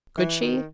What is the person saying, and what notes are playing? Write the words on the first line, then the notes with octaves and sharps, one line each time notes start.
Could she?
E3
D#3